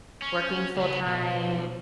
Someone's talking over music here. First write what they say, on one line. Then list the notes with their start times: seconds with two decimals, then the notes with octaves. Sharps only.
working full time
0.22 C#4
0.77 C#2 B3
1.06 B1